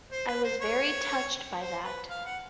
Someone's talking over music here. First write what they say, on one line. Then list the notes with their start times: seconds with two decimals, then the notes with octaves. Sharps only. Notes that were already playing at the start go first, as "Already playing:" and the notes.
I was very touched by that.
0.11 C5
0.28 B4
0.44 C5
0.61 C#5
1.60 C5
1.84 B4
2.09 F5
2.26 F#5